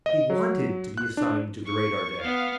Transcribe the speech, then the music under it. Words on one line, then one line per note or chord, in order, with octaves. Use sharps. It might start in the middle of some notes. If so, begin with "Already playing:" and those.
He wanted to be assigned to the radar deck.
D#5
F#3
F#6
D4
C#6
B3 F5